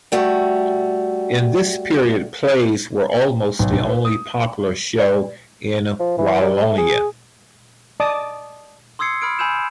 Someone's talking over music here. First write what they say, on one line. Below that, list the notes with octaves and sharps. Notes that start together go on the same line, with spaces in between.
In this period plays were almost the only popular show in Wallonia.
G3 A3 F#4
B1
B1
B4
D#6
D5
F3
E3
G3
A3
G#4
D5 D#5 A5 D6 D#6
C6 D#6 E6 G#6 C7 C#7
B5 D#6 F6 G#6 D7
G#5 B5 E6 G6 E7